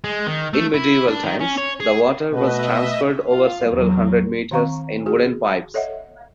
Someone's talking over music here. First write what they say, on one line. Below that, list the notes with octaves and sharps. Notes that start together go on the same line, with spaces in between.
In medieval times, the water was transferred over several hundred metres in wooden pipes.
G#3
D#3
A3
E4
D4
D#3
C#4
C#5
G#4
B2 A3 B4 D#5 E5
F4 F5
E2 F#3
D#3 C4 F5 A#5 C#6
F#4 G#4
A4 C#5 D#5 E5 F#5